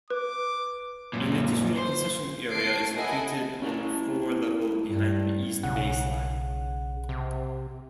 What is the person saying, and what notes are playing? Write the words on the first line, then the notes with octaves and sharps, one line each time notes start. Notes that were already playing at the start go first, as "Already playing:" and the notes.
An additional concession area is located on the floor level behind the east baseline.
B4 D6
F#2 A#2
C5
A3 A5 C7 D7
E4 A4 D#5 F#5 G#5
C#4 E4 A5
G2
B1 C#3 F#5
C3